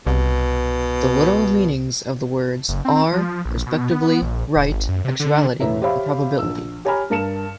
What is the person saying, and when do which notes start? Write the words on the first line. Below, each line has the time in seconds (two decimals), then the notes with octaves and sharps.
The literal meanings of the words, are, respectively, "Right", "actuality" and "probability".
0.07 C2 B2
2.69 F#1
2.85 C4
3.13 F3
3.45 A#1
3.66 B2
3.91 B3
4.22 A#1
4.56 D#1
4.71 G#1
4.89 F#2
5.05 C3
5.20 D3
5.60 E1 A2 B4 C#5 E5 A#5
5.82 G4 C5 C#5 E5 F5 B5
6.39 A#1 E6
6.85 G4 C#5 G#5 A#5 B5 F6
7.10 G2 A#4 A5 C#7 E7